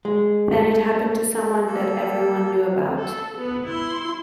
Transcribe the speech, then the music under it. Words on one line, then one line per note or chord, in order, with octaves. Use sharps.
Then it happened to someone that everyone knew about.
G#3
A#3 A4
A4
B3
E4 C6